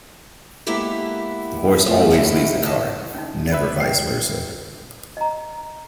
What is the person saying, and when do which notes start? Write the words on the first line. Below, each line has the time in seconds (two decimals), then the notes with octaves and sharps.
The horse always leads the cart, never vice versa.
0.67 G#3 A#3 B3 E4 G4 A4
1.86 A3 C4 F4
2.11 D#2 A2 E3 E4 D#5 F#5
2.63 D#5 G#5 A5
3.14 C#4 D#4
3.52 B4 E5
3.80 G5 C7
5.17 D#5 A#5